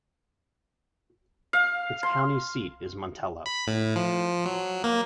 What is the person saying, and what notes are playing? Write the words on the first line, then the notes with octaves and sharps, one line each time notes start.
Its county seat is Montello.
F5
C6
B5
A2
F3
F#3
A#3